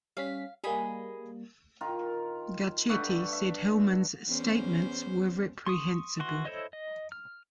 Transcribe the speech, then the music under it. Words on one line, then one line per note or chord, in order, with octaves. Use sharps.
Garcetti said Hillmann's statements were reprehensible.
G3 C#4 F5 B6
G3 A#3 G#4 D#5 B5
D#3 F4 A#4
G2 A3 F#5
E5
E2 C#4 C5
C6 C#6 D#6
E3 F#4 C6
E4 A4 C5 C#5 D#5
D#5
F6